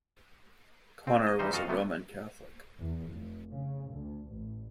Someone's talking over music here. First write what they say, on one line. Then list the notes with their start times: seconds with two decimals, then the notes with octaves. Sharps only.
Connor was a Roman Catholic.
1.07 C4
1.27 D#5
1.39 E3 G3 D#4 C5
1.52 F2 F#4 A4 D#5 F5
1.67 F#2 C3 A3 B3
2.80 E2
3.14 F1
3.50 C#3
3.89 D2
4.29 A1